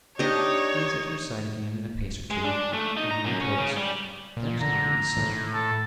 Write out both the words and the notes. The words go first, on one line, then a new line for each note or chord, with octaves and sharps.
He is at her side again in a pace or two, and he retorts, 'That is not what you said.
D4 D#4 G4 C#5 D#5
G#3
D4
A3
D#4
A#5
F#2
C#4
C#3
G3
A#2
D3 A#5
A2
A4